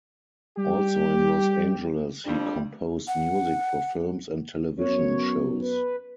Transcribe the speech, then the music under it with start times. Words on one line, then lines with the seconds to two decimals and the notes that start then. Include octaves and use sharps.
Also in Los Angeles he composed music for films and television shows.
0.57 G3 G4
2.25 F2 G3 D4
3.08 F#5
4.78 F#2 B3 C#5
5.61 B4